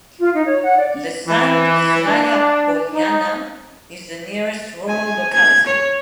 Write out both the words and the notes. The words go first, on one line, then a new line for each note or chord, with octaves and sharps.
Lesnaya Polyana is the nearest rural locality.
F4
D#4
C#5
F#5
D5
E3
D4
D#4
G#5
G#6
C#5